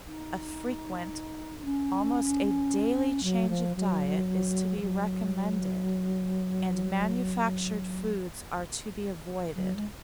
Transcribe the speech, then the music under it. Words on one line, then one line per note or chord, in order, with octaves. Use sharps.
A frequent--almost a daily--change of diet is to be recommended, and manufactured foods are to be avoided.
D#4
D#4
C#4
F#3
F3
F#3
F3
F#3
F#3
G#3